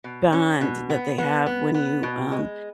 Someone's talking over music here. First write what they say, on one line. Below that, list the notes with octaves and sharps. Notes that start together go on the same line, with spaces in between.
bond that they have when you um,
B2
C#4
B2
B3
B3
B3
B3
B2
G#3